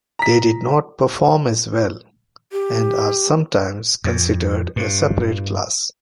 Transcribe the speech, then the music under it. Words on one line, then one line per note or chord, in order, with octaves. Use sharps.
They did not perform as well, and are sometimes considered a separate class.
A#5 B6
G4
F2
G2